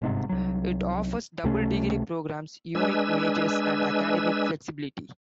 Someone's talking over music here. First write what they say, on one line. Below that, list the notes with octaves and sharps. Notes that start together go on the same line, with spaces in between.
It offers double degree programs, unique majors, and academic flexibility.
G1 G#2 C3
C2 F#3
C#2 C3 A3 C#4
G#3 D4 B4 G#5 E6